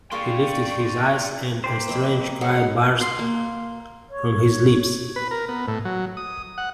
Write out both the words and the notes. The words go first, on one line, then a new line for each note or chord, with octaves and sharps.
He lifted his eyes, and a strange cry burst from his lips.
A#3 F4 G#4 D5 G5 C6 C#6
A#3 G4 C5
F2 C4 B4
F#3 G#3 F#4 F#5
C6
A#3
C#5
B4
A#4
B3
A2
F#3
D#6
F#5